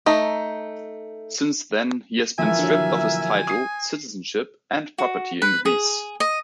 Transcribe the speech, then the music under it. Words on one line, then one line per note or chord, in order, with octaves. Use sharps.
Since then, he has been stripped of his title, citizenship and property in Greece.
A3 D#4
A#2 E3 F3 A#4 E5 G#5
D3 F#3
D#6 C7
F#4
B4
G#4
D#5